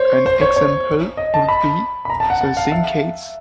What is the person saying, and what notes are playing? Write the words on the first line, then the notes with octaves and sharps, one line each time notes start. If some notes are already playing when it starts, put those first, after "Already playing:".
An example would be the zincates.
Already playing: C5 C#5
C5
C#5
C#5
D#5
A5
B5
B5
A#5
A5
F#5
F#5
F5
E5